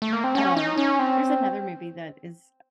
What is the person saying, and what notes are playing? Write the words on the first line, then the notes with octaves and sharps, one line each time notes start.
Um, there's another movie that is
A3
A#3
C4
C#4
D#4
C#4
C4